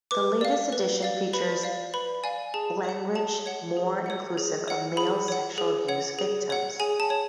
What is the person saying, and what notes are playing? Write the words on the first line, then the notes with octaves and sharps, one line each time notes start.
The latest edition features language more inclusive of male sexual abuse victims.
B4 D6
D5 F5
B4
D5 F5
B4 B5
D5 F5
B4 B5
D5 F5 G#5
G#4 A5
C#5 F#5
G#4 A5
C#5 F#5
G#4
C#5 F#5
G#4
C#5 F#5
G#4 B5
C#5 F#5
G#4
C#5 F#5
G#4
C#5 F#5
G#4 G#5
A5
C#5